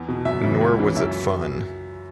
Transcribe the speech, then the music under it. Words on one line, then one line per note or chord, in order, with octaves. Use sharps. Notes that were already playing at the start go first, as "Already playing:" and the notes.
Nor was it fun.
Already playing: E2
B2
F#2 E5
C#3 E3
C#2
C#3 E3
F#2 E5